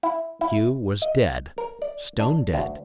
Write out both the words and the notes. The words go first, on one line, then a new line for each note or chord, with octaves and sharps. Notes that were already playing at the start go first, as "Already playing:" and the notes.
Pew was dead, stone dead.
E4
E4
D#5
A#4
D5
D4
D2